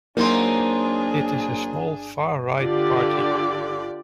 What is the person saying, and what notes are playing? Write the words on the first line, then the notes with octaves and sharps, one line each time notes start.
It is a small far-right party.
F#3 A#3 C4 D4 D#4 G#4 C6
D3 F4 G4 D5